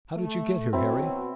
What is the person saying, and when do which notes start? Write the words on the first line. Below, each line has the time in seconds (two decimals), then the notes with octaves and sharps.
How did you get here, Harry?
0.17 A3
0.73 B2 F#3 C4 E4